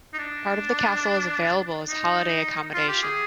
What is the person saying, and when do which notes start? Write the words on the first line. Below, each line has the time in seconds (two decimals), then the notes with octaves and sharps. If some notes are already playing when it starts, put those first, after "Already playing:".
Part of the castle is available as holiday accommodation.
0.14 D#4
0.18 D4
1.89 D#4
2.74 F4
2.88 G4
3.03 G#4